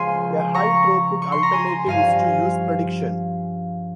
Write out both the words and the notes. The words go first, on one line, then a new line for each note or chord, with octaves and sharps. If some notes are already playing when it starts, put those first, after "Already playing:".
A high throughput alternative is to use prediction.
Already playing: C#2 C#3 F3 F5 G#5 C6
A#5 C#6
C#6
C6
A#5
G#5 C6
G2 F3 F5 G#5